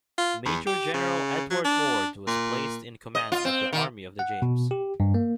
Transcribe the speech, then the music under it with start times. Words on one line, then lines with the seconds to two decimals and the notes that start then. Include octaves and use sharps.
Major General Edward Ord was placed in command of the Army of the James.
0.18 F4
0.45 E2
0.67 G4
0.94 C#3
1.51 F#3
1.65 D4
2.27 A#2
3.15 D#5
3.32 F4
3.45 C4
3.73 D#3
4.19 F#5
4.42 B2
4.71 G4
5.00 G2
5.14 A#3